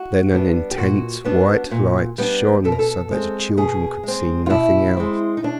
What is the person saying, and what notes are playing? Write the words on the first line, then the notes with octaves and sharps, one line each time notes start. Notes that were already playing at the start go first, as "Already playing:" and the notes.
Then an intense white light shone so that the children could see nothing else.
Already playing: F#4
G3 B3 D4
G4
A#2 F#4
G3 B3 D4
A#2
G3 B3 D4
B2 A4
A#4
A4
G#3 C4
B2 G#4
G#3 C4
F4
B2 E4
G#3 C4
D#4
B2 D4